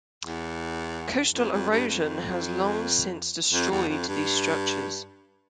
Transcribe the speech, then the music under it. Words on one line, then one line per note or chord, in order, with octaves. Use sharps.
Coastal erosion has long since destroyed these structures.
E2
F2
F2
G2
F2
F2
E2
F2
G2